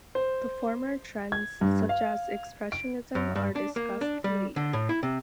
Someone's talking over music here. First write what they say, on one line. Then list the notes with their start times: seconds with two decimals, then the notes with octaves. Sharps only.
The former trends, such as Expressionism are discussed later.
0.15 C5
1.32 G#6
1.61 G2
1.89 F5
2.72 D7
3.15 F#2
3.35 G2
3.56 D4
3.76 A#3
4.01 D4
4.24 G3
4.56 D3
4.73 A2
4.89 E4
5.03 C3